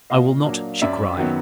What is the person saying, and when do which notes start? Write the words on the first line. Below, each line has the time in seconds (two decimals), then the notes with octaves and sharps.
"I will not!" she cried.
0.10 A#2 D#5 F5
0.46 F#3 A#3 D4
0.82 F#2 D5 E5
1.17 D#3 F#3 B3